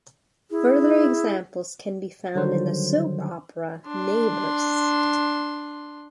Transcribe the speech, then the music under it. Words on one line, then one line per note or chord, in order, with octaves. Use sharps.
Further examples can be found in the soap opera "Neighbours".
E4 G#4
D3 D#3 F#3 G3 C5
D4 C6